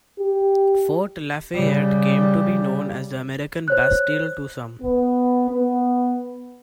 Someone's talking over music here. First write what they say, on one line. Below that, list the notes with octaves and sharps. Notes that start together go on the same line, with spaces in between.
Fort Lafayette came to be known as the "American Bastille" to some.
G4
C#3 G3
C5 C#5 F#6
B3
B3